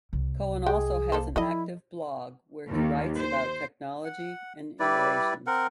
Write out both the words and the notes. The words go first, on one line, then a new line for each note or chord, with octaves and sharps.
Cohen also has an active blog where he writes about technology and innovations.
C2
G#3 G4 G#4 G5
A#3 A4 C5
F3 E4 A4 D5 D#5
D#2
C5
F#5
G3 E4 B4 D5
C4 A#4 F#5